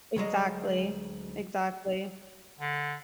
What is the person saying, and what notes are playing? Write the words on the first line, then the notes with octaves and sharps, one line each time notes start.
exactly, exactly.
D2 F#3 G#3 D#5
D3